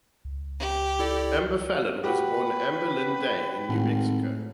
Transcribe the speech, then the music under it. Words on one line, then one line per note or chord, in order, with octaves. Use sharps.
Amber Fallon was born Amber Lynn Day in New Mexico.
C#2
G4
E4 A4 D5
F#4 G4 B4 F#5
G#1 A2